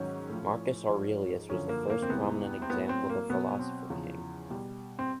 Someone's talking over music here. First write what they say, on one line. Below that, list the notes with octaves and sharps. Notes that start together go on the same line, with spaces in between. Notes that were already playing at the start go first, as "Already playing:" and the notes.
Marcus Aurelius was the first prominent example of a philosopher king.
Already playing: G#2 D#3 F#3 C#4
A2 F3
G#2 F3
F#2 D3 F3 C#4
A#3
A#3
C4
E2 C3 E3 G3 B3
C4
A2 F#3 B3
C4
A#3
B2 F#3 B3
C4
E2 C#3 F3
B2 G3
C4